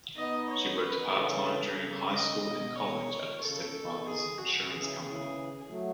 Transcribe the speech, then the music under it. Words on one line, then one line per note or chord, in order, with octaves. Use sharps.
She worked part-time during high school and college at her stepfather's insurance company.
B3 D#4 D#5
C#5
B4
B3 D#4
C#3 E3 A4
C#3
D#5
B2 D#5
C#5
C#3 A4
B2 D#3
G#4
C#3 F#4
B2 D#3
C#3 E3 G#4
C#3 E3 G#4
F#3 A3